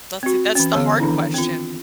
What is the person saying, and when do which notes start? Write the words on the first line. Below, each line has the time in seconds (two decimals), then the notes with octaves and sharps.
That's th that's the hard question.
0.23 C4 F#4
0.55 E3 C#4
0.74 D3 B3 C#5
1.00 D#3 E3 D4 E4
1.34 C4 F4